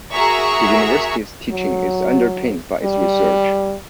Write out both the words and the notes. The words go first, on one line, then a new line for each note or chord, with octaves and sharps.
The university's teaching is underpinned by its research.
F#4 G#4 A#4 E5 A#5 C#6
F#3
G3